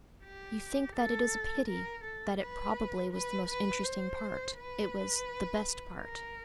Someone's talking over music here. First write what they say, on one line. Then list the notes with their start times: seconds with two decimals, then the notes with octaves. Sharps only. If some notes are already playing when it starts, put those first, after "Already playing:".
You think that it is a pity, that it probably was the most interesting part, it was "the best part."
0.24 G4
0.96 A4
1.67 A#4
2.04 A4
2.40 B4
3.12 B4
3.48 B4
3.84 C5
4.57 B4
6.01 A#4